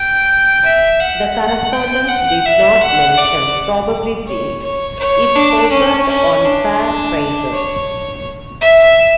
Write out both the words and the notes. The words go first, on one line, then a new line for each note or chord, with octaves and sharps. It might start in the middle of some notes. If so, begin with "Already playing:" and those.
The correspondence did not mention "probability"; It focused on fair prices.
Already playing: G5
E5
F#5
G5
F#5
E5
F#5
D5
C#5
C#5
C#5
D4
C#4
C#4
D4
C#5
E5